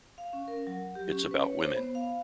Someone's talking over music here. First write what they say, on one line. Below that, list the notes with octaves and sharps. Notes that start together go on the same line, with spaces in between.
It's about women.
F5
C#4
A#4
F#3
G4
C#4
B4
C#5
C5
B3
F5